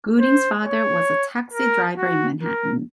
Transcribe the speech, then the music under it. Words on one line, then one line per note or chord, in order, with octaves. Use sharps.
Gooding's father was a taxi driver in Manhattan.
C5
C#5
A#4
F#4
A#4